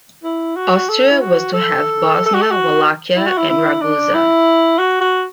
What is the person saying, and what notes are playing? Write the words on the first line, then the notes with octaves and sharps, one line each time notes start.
Austria was to have Bosnia, Wallachia and Ragusa.
E4
F#4
A4
E4
F#4
A4
A4
F#4
A4
F#4
E4
F#4
E4
E4
D4
E4
F#4
F#4